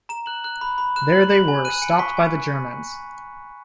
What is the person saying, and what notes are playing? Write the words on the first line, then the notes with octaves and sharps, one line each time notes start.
There they were stopped by the Germans.
A#5 E7
F#6 F#7
F#6
B5
B5
F#6 E7
F#6 F#7
B5 F#7
G#5
F#6 D#7
G#5 C#7
C#6 B6
G#5